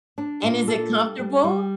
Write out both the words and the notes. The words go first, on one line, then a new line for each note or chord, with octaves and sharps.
And is it comfortable?
D4
A#2
A4
G3
G3
G3